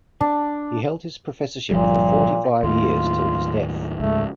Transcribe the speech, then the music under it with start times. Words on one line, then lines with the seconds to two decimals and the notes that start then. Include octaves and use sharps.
He held his professorship for forty-five years till his death.
0.21 D4
1.71 G1 A#2 F3 G3
2.63 D#2 A2 F4
4.00 C#2 G#2 A3